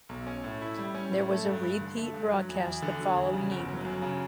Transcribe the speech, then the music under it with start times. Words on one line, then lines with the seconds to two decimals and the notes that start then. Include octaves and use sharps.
There was a repeat broadcast the following evening.
0.09 B1
0.27 C#4
0.44 A2
0.61 E4
0.78 G3
0.95 C#4
1.12 A2
1.30 A3
1.46 G2
1.63 G2
1.81 D3
1.98 A3
2.14 G2
2.32 F#3
2.49 E2
2.66 E2
2.82 D3
3.00 F#3
3.16 E2
3.33 C#3
3.51 G1
3.68 F#3
3.85 F#2
4.02 C#3